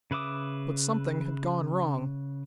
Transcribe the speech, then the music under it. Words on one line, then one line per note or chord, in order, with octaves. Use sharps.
But something had gone wrong.
C#3 B4 E5 D6 D#6